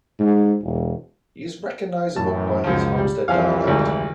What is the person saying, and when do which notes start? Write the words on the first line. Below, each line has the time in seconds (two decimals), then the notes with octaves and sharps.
He is recognizable by his Halmstad dialect.
0.19 G#2
0.63 E1
2.16 F#2 A2 E3 A5
2.64 C#2 F#2 F3
2.98 G3
3.28 C2 F2 E3 F3 G#4 F5
3.67 G#1 D2 G#3